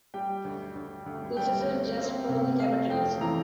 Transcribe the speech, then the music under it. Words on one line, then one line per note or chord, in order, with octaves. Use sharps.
This isn't just crony capitalism.
G3 G5
D2
D2
D2
G3 G5
D2
C4
C3
A3 F5
F2 G5
E3 A#5